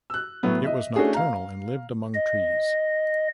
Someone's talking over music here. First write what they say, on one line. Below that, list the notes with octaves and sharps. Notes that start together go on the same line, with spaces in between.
It was nocturnal and lived among trees.
E6 F#6
A2 F#3 B3
D#5 E5
A3 C#4 D4 E4 F#4 G#4
F5 A#5
D#5